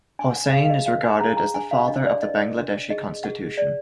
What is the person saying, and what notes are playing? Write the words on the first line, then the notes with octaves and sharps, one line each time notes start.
Hossain is regarded as the father of the Bangladeshi constitution.
D4 G#5
F#5
G#4 F5
F5
D#5
B4 F5
G#5
G#4 A#5
A#5
D4 G#5
F5
D4 D#5
D5
B4 D#5
D4
G#4 D#5
G#4 F#5
G#4 D5